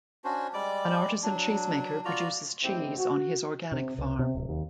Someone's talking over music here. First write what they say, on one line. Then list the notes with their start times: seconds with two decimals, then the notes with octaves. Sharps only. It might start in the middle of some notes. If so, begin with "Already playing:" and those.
An artisan cheesemaker produces cheese on his organic farm.
0.24 C#4 D4 F#4 C5
0.54 G3 G#3 D5 D6
1.23 F#3 D4
2.05 F4 F#4 D5 A#5
2.62 A1 E2 G#2 C4 E4 G4
2.98 F#4
3.72 C3
3.98 C#2
4.19 C3
4.35 D1
4.49 D#2